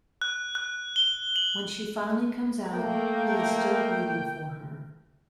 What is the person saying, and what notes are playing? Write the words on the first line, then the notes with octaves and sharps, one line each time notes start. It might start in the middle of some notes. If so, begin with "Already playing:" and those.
When she finally comes out, he is still waiting for her.
F#6
F#6
G7
F#7
A3 A#3 G5